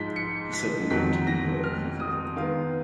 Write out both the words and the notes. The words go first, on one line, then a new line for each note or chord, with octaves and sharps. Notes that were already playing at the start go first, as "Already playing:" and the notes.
He said we needed to be more evil.
Already playing: G#2 F3 G#3 D#4 B6
C#7
B6
F2 D#3 F#3 B6
A#6
F6
D#6
D#3 G#3 B3 F5